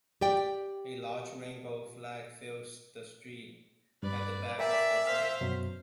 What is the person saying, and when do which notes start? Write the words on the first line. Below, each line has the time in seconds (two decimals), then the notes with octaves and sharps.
A large rainbow flag fills the street at the back of the parade.
0.21 G4 D5 G5
4.03 G2 B4 D5
4.59 A#4 D5 E5 G5 G#5
5.05 C5 F5
5.41 F#2 B2 F#3